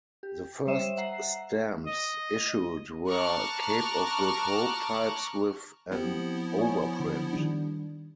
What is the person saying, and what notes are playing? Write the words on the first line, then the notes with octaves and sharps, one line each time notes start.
The first stamps issued were Cape of Good Hope types with an overprint.
G4
G3 C5 C#5 D#5 E5 E7
E5 F#5 A#5 C7
D#5
A5 A#5 C#6 D6 F6 F#6
F3 B3 C4 E4 G4
C#5 G#5
D3
D#3 G3 D4